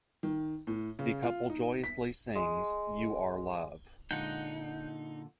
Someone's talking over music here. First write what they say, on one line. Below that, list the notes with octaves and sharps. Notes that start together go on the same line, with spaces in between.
The couple joyously sings "You Are Love".
D#3
A2
C#3
F4
D#4
B6
G#3
A#2 D3 G#3 D#4 F#5 G5